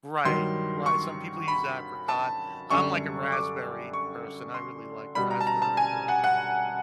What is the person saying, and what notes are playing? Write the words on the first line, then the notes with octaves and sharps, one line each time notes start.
Right, right, some people use apricot. I'm, like, a raspberry person. I really like raspberry, but, um,
G2 D#3 F#3 C6
C#6
B5
A5
F#2 D3 G3 C#6
D6
C#6
C6
B2 G3 B5
A#5
A5
A#5
A5
G#5
F#5
F#5